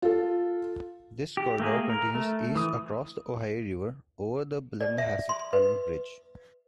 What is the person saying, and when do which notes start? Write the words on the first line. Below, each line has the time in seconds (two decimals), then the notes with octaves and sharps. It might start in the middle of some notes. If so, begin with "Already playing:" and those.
This corridor continues east across the Ohio River over the Blennerhassett Island Bridge.
0.02 F4 A4
1.37 G4
1.60 A3 A#3 G#4
1.90 A#4
2.15 A3
2.55 E3 D#6
4.81 D5
4.98 E5
5.29 C6
5.53 B4